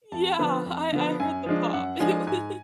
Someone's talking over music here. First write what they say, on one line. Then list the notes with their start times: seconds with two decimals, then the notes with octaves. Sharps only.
Yeah, I I heard the pop. It was
0.12 F2 A5
0.39 D3 F3 B3
0.66 F2
0.92 D3 F3 B3
1.20 F#2 G#5
1.46 F3 G#3 D4
1.73 F#2 F#5
2.00 F3 G#3 D4 G#5
2.27 G#2 G#5